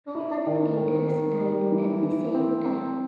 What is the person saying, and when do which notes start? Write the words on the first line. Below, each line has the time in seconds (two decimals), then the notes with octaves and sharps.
Two other leaders died at the same time.
0.15 E4
0.47 D#3
0.77 D#3
1.08 D#3
1.40 G3
1.72 E3
2.03 E3
2.35 C4
2.66 C4